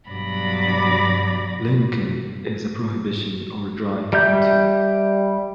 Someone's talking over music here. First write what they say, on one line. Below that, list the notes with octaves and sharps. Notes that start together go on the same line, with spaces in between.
Lincoln is a prohibition or dry county.
G2 B2 F#3 D5 B5 A#6
G3 E5 G6